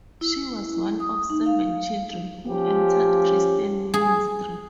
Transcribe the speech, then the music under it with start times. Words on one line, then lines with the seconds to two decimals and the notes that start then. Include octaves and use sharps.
She was one of seven children who entered Christian ministry.
0.21 E4
1.00 D#6
1.30 D#4
1.46 F5
2.47 F3 C#4 G4
3.94 G#4